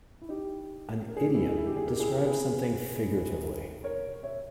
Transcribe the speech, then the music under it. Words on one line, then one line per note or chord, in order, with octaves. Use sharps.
An idiom describes something figuratively.
E4
D#4 G4
A#4
G#4
G4
E4 G#4
D#4
E4
G4
G#4
G4 A#4
E4 G#4
G4 A#4
G#4 B4
A#4 C#5
C#5 E5